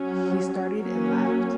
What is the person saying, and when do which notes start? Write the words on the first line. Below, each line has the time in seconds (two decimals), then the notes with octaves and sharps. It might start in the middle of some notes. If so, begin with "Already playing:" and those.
He started, and laughed.
Already playing: F#3 C#4
0.79 F#3 A#3 C#4